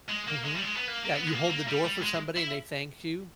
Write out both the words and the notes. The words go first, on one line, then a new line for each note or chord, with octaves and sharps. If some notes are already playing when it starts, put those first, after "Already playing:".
Mhm, yeah, you hold the door for somebody and they thank you.
G#3
A#3
G#3
G3
G#3
B3
A#3
A#3
B3
G#3
A#3
A#3
G3
G3
G#3
E4